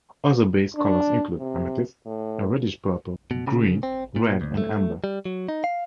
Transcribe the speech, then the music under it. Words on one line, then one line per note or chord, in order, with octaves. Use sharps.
Other base colors include; amethyst, a reddish purple; blue, green, red and amber.
D4
C3
A2
B2
C#3
C4
A#2
D2
A3
G3
F#3
D#4
F5